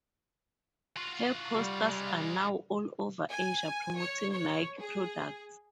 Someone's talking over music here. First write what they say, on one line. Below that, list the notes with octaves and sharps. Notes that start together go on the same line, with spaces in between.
Her posters are now all over Asia promoting Nike products.
F4 F#4
G3
G#3 F4
G#5
C#5
C#5
G#4